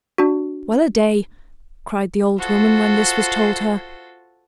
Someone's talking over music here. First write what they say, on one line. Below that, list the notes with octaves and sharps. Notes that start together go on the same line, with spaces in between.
"Well-a-day," cried the old woman when this was told her.
D4 F#4
F4 F#4 A4 C5